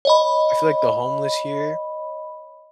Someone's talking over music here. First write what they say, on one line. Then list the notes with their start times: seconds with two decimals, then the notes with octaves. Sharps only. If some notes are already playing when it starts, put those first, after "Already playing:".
I feel like the homeless here
0.05 C#5 D#5 B5